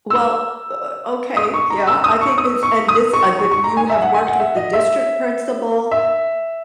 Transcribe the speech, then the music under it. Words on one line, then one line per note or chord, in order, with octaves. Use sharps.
Well, o o okay, yeah, I think it's and this, uh, that you have worked with the district principal
E6
D#6
C#6
A#5
E6
D#6
C#6
D#6
C#6
D#6
C#6
C#6
C#6
A#5
G#5
E5
F#5
G#5
F#5
E5
D#5
E5
E5